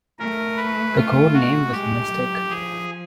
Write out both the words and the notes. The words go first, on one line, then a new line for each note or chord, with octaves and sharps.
The code name was Mystic.
A3 A#4
B4
F4
F#4
G#3 G4
F#3
F3 G#4